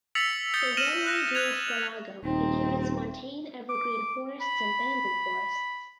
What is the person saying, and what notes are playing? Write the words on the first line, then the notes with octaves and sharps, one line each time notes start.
The Rungwe dwarf galago inhabits montane evergreen forests and bamboo forests.
E6 A6 B6 C#7 F7 F#7
D#6 E6 G6 A6 C#7 G7
F6 A#6 C#7 D#7 E7 F#7
E6 F#6 A#6
F#6 G#6 F7
D#1 C4 D#4
D6
B5